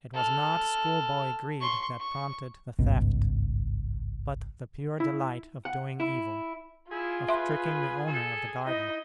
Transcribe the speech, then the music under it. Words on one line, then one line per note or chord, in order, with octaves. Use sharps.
It was not schoolboy greed that prompted the theft, but the pure delight of doing evil, of tricking the owner of the garden.
A4 F6
C6 C#6
C#6
G#1 C#2 G2 B2
E4
F#5
E4
E4 F4 G#4
B4 E5 C6
A4
D#4 E4 D#5